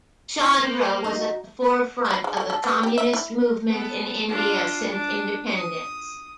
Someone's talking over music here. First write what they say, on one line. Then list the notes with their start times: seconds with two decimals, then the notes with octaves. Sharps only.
Chandra was at the forefront of the communist movement in India since independence.
0.43 E4
0.60 A#3 C5
1.04 D#4 D#5
1.16 F#4
2.11 B5
2.24 G#3
2.37 A3
2.50 A4
2.64 B3
2.83 G4
2.98 E5
3.14 E4
3.70 B3 A4
4.29 D4 F4
4.89 D4
5.56 D#6